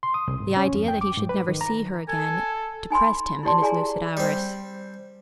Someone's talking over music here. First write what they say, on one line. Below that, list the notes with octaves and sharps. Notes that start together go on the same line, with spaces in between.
The idea that he should never see her again depressed him in his lucid hours.
C6
D#6
C2
G#2
C#4
F2
G5
D6
G#2
B4
D#3
A#5
A4 G#5
D#4 G#5 B5 C6
E4 F4 G4 D5 A5 C6
G#4 D5 G#5 A#5
G3 C4